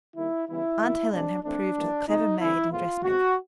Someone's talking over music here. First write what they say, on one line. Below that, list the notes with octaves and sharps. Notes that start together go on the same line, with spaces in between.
Aunt Helen had proved a clever maid and dressmaker.
D#3 G3 A#3 E4
C#3 E3 G3 B3 E4
D#3 F#3 A#3
B2 G#3 C4 D4
E3 A3 C4 D4
E3 G3 A#3
C3 F3 G#3 D#4
D3 G3 C4 E4
A2 F3 G#3 B3 F4
B2 G#3 C4 F#4